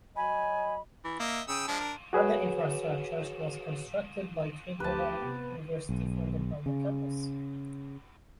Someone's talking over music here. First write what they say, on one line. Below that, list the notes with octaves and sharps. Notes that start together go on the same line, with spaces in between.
Other infrastructures was constructed by Tribhuvan University funded by the campus.
F#3 D#5 G#5 B5
E3
A#3 D#5 E5
C#3 G5 D#6 E6
F3 G#3 D4
A#4
F#4 G#4 B4 C#5
D2 G4 B4 A5
C3 B3
B1
C#3